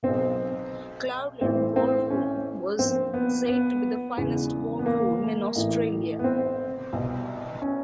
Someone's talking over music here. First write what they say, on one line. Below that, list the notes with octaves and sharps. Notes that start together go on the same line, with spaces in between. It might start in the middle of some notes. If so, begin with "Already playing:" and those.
Cloudland Ballroom was said to be the finest ballroom in Australia.
B1 B2 C4
A1 A2 E3 C4
C4
C#4
A#1 A#2 C4
B3
B3
E1 E2 C#3 E3
B3
A#3
A1 A2 E3
B3
C4
C2 B2
C#4